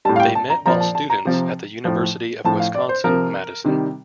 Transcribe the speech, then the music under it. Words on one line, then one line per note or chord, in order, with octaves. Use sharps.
They met while students at the University of Wisconsin-Madison.
A2 G3 A5
F5
G5
A5
A#5
A#2 F3 A#5
A5
A5
A#5
C3 F3
A2 F3
A2 F3 A5
F5
D5
C5
C3 F3 A#4
C3 D#3 G3